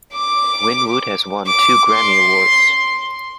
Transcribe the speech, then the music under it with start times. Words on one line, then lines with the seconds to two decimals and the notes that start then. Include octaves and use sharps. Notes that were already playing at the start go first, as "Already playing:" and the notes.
Winwood has won two Grammy Awards.
0.13 D6
1.47 D6
1.90 C6